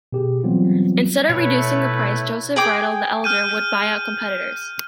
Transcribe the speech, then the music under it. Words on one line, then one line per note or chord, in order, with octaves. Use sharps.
Instead of reducing the price, Josef Riedel the elder, would buy out competitors.
B2 G4 G#4
E3 F#3 G3 B3 C4 F4
B2 A3 E4 B4 C#5
G#4 G5 D6
F6 G6 D#7